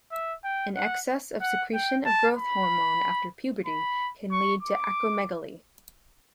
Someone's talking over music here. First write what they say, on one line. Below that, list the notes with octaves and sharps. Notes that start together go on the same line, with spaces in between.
An excess of secretion of growth hormone after puberty can lead to acromegaly.
E5
G5
F#5
F#5
G5
A5
B5
B5
C#6
D6